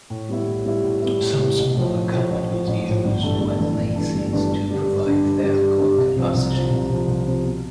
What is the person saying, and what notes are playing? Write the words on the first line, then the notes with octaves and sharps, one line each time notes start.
Some smaller companies use wet leases to provide their core capacity.
A2
G3 B3 E4
A2
G3 B3 E4
A2
G3 B3 E4
A2
G3 B3 E4
A1
A2 F3
A1
A2 F3
A1
A2 F3
A1
A2 F3
G1
G2 E3 A3
G1
G2 E3 A3
G1
G2 E3 A3
G1
G2 E3 A3
G2
D3 G3 D4 G4
G2
D3 G3 D4 G4
G2
D3 G3 D4 G4
G2
D3 G3 D4 G4
C2
C3 F3
C2
C3 F3
C2
C3 F3
C2
C3 F3
B2